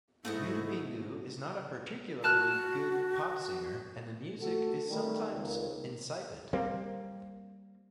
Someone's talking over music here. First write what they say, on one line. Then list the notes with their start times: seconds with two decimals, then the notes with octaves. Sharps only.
Yunupingu is not a particularly good pop singer, and the music is sometimes insipid.
0.25 G#2 A3 A#3 E4 F#4 A4 D#5
2.24 F#4 A5 F6 F#6
4.41 A3 F#4 A4
4.89 D#3 G3 A3
5.33 C#2 C3 D#3 A#3
6.53 G3 A#3 C4